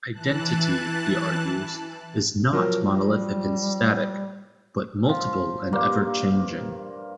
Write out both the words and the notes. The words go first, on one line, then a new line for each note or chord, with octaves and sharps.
Identity, he argues, is not monolithic and static; but multiple and ever-changing.
E3 A5 F#6
F3 F#3 A#4
G3
F3
G2 A#3